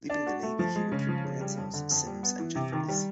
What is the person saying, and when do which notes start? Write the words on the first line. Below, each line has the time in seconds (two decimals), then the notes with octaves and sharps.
Leaving the navy he worked for Ransomes, Sims and Jeffries.
0.10 D4
0.27 F#4
0.43 A3
0.59 F3
0.75 G#3
0.92 C#3
1.08 F3
1.25 C#3
1.41 G3
1.57 F2
1.74 D3
1.91 F2
2.07 G3
2.23 B3
2.39 E3
2.55 C3
2.72 D#3
2.88 G3